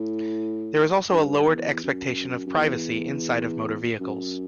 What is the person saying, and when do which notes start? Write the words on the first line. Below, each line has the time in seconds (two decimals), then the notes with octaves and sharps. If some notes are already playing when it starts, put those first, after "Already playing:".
There is also a lowered expectation of privacy inside of motor vehicles.
Already playing: A2
1.12 G2
1.48 E2
1.84 F#2
2.47 F#2
2.56 E2
4.00 F#2